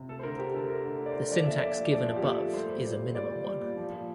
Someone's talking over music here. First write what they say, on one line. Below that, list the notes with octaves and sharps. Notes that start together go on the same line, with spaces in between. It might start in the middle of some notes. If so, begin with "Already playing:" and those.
The syntax given above is a minimal one.
Already playing: C3
A3 A4
C5
D3 A#4
A3 G4
D3 A4
A3 A#4
D3
A3
D5
C5
D3
F3 D5
A#2 E5
A#2 D5
A3
F3 D5
A#2
G4
A#2 A4
A3
G3 C5
A#2
G3
A#2
G3 D5
A#2
G3
A#2
F3
A#2